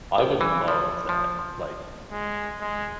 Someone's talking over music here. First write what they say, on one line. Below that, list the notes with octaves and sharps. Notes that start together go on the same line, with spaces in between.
I would love that, like
A#1
E3
F3
F3
G#3
G#3